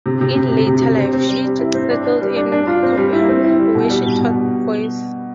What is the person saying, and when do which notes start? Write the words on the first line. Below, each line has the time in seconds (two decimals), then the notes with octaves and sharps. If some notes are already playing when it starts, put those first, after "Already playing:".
In later life she settled in Copenhagen where she taught voice.
0.06 C3
0.21 C3
0.36 C3
0.52 C3
0.67 C3
0.82 C3
0.98 C4
1.13 C4
1.29 G3
1.44 G3
1.59 E4
1.74 C4
1.91 D4
2.05 D4
2.21 G3
2.36 D4
2.52 D4
2.67 F4
2.83 C4
2.97 G3
3.13 E4
3.29 C4
3.44 E4
3.59 G3
3.75 B2
3.90 G3
4.06 B2
4.20 B2
4.36 G3